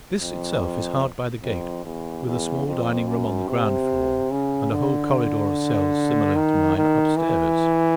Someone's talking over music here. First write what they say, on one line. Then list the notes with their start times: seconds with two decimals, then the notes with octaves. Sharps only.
This itself is hard by the gate, with a small dining-room on the ground floor and a whole corridor of cells similar to mine upstairs.
0.21 F2
1.43 F2
1.85 E2
2.26 E2
2.67 F2
3.07 F#2
3.48 C3
4.31 C#3
4.72 D3
6.35 D#3
6.77 D#3
7.17 E3